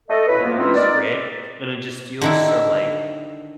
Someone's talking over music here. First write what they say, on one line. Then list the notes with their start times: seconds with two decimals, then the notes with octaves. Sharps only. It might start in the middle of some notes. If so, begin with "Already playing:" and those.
You know, you spray it, and it just feels so like
0.08 A3 A4 D#5
0.27 C#2 B2 E4 B4
0.42 F3 A#3 B3
0.58 D#3 E3 G#3 C4 C#4 F4
0.74 C4 D#4 A#4 D5
2.21 D3 D#3 E4